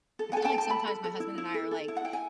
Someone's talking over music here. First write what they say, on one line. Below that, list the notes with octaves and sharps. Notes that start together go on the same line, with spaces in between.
I feel like, sometimes, my husband and I are, like,
A4
F#5 G#5
A4
G5 A5
A4
G5 A5
A4 A5 B5
A4
A4
E4
E4
A4
A4
E4
F#5
E4 G5
G#5